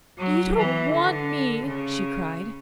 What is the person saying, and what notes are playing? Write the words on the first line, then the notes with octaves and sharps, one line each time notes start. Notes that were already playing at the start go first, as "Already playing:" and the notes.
"You don't want me!" she cried.
F#3
E3
D3
C#3